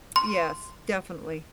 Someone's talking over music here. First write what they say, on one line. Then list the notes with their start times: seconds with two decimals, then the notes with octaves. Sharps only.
Yes. Definitely.
0.16 C6